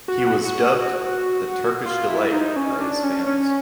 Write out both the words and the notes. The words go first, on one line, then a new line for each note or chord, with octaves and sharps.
He was dubbed "The Turkish Delight" by his fans.
F#4
F#4
F#4
F4
E4
D#4
C#4
D4
C#4
C#4